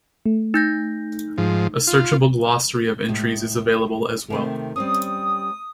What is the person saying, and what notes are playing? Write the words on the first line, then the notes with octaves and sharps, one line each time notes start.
A searchable glossary of entries is available as well.
A3
D#4 G6 A#6
G#2 F3
F4
A2 G#3
C3 D#3 A3
G3 C4 C#4 D#6